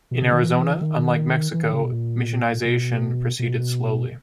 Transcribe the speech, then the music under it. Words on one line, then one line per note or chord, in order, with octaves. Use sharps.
In Arizona, unlike Mexico, missionization proceeded slowly.
B2
C#3
D#3
E3
D#3
E3
D#3
C#3
B2
A#2
B2
B2